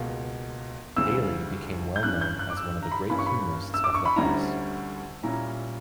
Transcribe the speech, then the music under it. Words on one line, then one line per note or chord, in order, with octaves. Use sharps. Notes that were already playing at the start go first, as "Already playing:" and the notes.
Daly became well known as one of the great humorists of the House.
Already playing: C#2 B2 A#3
D2 C#3 E3 G3 E6
G6
G2 E3 G3 C#4 F#6
G6
F#6
D6
E6
A#5
B5
G2 E3 A#3 C#4 E4 B5
C#6
B5
E6
D6
C#6
B5
D2 D3 G3 C#4 E4 A#5
A#2 G3 C#4 E4 A#5